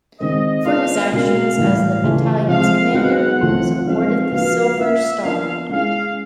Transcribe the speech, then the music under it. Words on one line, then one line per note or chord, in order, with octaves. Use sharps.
For his actions as the battalion's commander he was awarded the Silver Star.
D#3 G#3 C4 D#5
B3 D4 F4 G#4 F5
B2 G#3 C#4 F#4 A#4 F5
A2 E3 G3
C#3 E3 A3 C#4 F4
C3 F3 G#3 F5
F#3 B3 D#4 G#4 F#5
E3 A3 C4 F4 A4
F3 G#3 C4 D#4 F5
F3 A#3 D4 F#4 B4 F5
A#3 C#4 F4 E5
B3 D4 F4 A#4 D5 F5
G#3 C#4 E4 G#4 F5